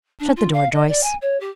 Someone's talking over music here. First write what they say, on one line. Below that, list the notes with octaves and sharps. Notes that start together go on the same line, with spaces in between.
"Shut the door, Joyce."
D4
F4
F5
D#5
D5
G#5
C#5
G4